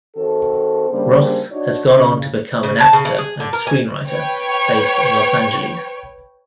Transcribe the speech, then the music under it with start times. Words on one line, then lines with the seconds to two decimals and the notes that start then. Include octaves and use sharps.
Ross has gone on to become an actor and screenwriter, based in Los Angeles.
0.17 D#3 C4 F#4 A4
0.91 C#3 G3 A#3 D4 G#4 C5
1.52 D4 D#4 F#4 C#5 D5
1.94 C#3
2.63 C#3
2.80 A5
2.93 C#3
3.05 C#3
3.18 G#4
3.40 D3
3.53 A#4
3.67 G#5
4.08 B4 C#5 G5